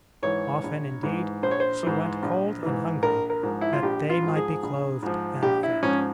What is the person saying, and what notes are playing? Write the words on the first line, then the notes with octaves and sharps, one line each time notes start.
Often, indeed, she went cold and hungry that they might be clothed and fed.
G#2 E3 C#5
A#1
G#2 E3
A#1 C5
C#5
C5
G#2 E3
A#1
G#2 E3
A#1 A#4
A#4
G#2 F3
E4
F4
A#1 G4
F4
G#2 F3
G#4
A#1
G#2 F3
A#1 G4
E4
G#2 F3 C#4